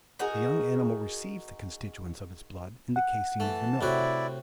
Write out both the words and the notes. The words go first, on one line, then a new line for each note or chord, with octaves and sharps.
The young animal receives the constituents of its blood in the caseine of the milk.
D#4 F#4 G#4 A#4
F#5
E3 A3 A5
A2 C3 E4 F#4 D5